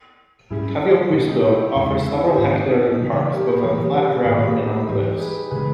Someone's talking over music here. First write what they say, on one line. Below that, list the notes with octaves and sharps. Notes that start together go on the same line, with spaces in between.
Kaivopuisto offers several hectares of parks, both on flat ground, and on cliffs.
G#2 G3 C#4 E4 G#4
B2 G3 A#3 C#4 D#4 G4
D#4 G4
E4
E2 C#3 G#3 C#4
E4
E4
D#4 G4
G#2 D#3 A#3 C#4
D#4
C#3 E3 G3 B3
G4 A#4
G#4 B4
G2 E3 G3 G#4 B4
G4 A#4
G4 A#4
G#4 B4
G#2 D#3 A#3 G#4 B4
G4 A#4
D#4 G4
E4
G#2 E3 G3 A#3 D#4 G4
G#4 B4
C#3 E3 G#3 G#4 B4